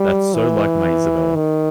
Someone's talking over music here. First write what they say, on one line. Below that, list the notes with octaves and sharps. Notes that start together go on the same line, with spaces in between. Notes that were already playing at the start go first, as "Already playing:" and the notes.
That's so like my Isabella!
Already playing: G3
E3
D#3